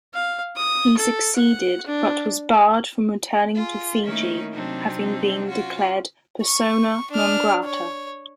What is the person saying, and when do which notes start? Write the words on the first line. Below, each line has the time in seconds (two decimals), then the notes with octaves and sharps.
He succeeded but was barred from returning to Fiji, having been declared persona non-grata.
0.13 F5
0.56 D#6
0.97 A4
1.36 F#5
1.86 D4
3.55 F4 G#4
4.03 D#3 A3 A#3 C#4 D#4 E4
4.53 C3 F#3 C4 D4 D#4
5.48 C#4 F4 F#4
6.43 C#6
7.11 D4 F6
7.65 C#5